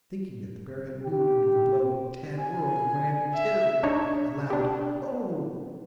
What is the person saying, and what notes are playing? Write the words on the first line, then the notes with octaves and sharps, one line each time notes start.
Thinking that the bear had moved under the blow, Tad whirled and ran tittering a loud "Oh!"
G4
G#5
E5
D4 D#4 C#5
D4 G4